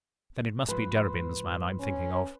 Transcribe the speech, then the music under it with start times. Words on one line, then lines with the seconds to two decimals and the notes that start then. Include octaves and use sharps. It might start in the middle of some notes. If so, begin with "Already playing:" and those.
Then it must be Derebin's man I am thinking of.
0.68 G#2 F3 B4 C5
1.80 C#4